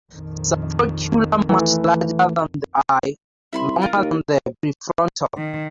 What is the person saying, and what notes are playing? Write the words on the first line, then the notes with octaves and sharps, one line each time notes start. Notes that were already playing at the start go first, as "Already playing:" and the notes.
Supraocular much larger than the eye, longer than the prefrontal.
A#1 F2 D#3
E3 A3
C2 E5 B5 C6
F4 A#4
D#2
D#3